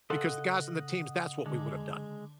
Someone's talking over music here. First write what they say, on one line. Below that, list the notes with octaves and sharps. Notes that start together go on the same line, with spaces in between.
because the guys on the teams, that's what we would have done.
C#3 A4 D#5 F#5 C6
D3 G#3